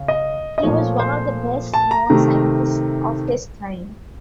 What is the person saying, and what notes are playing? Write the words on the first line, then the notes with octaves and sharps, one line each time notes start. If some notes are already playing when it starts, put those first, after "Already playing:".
He was one of the best known scientists of his time.
Already playing: C#3
D#5
D#5
A#2 F3 A3 C#5
C5
A5
A#5
C3 D#3 A3